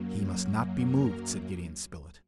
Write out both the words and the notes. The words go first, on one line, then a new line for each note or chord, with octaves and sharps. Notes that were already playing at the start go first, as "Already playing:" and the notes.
"He must not be moved." said Gideon Spilett.
Already playing: F#2 F#3 A#3
A#4